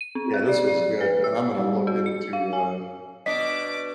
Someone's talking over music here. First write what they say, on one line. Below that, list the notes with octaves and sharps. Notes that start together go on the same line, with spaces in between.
Yeah, this was good, and I'm gonna look into, uh
D#7
C4
G#4
D5
D5
B4
E6
G3
F#4
C#7
F5
G#5
B2 D4 D#5 D6 B6